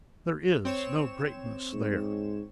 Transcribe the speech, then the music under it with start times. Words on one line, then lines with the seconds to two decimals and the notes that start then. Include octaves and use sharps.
There is no greatness there.
0.65 C4 C#5 E7
1.73 G#2